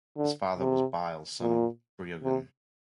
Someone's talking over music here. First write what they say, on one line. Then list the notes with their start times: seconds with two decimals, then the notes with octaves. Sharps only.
His father was Bile, son of Breogan.
0.17 D3
0.59 C3
1.41 A#2
2.23 C3